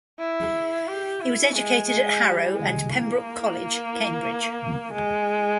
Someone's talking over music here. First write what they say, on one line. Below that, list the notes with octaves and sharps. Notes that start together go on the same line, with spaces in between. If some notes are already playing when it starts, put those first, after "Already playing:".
He was educated at Harrow and Pembroke College, Cambridge.
E4
G4
E4
G#3
G#3
G3
G#3
A#3
G#3